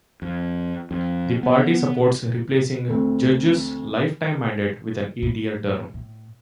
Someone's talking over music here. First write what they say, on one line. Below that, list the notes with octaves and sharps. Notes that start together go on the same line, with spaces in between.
The party supports replacing judges' lifetime mandate with an eight-year term.
F2
F2
B3
D2 A3 C4
A2
A2